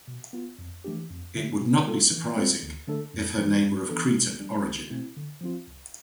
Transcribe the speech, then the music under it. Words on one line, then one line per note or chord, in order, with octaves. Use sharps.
It would not be surprising if her name were of Cretan origin.
B2
B3 F4
F2
E3 A3 D4 G4
F2
D3 A3
B2
B3 F4 A4
E3
G3 C4 F4 A4
D2
D3 A3 D4 A4
F2
E3 G3
G2
E3 B3 D4 A4
B2
G3 D4
C2
B2 A3 C4 E4
D3
F3 C4 F4
C2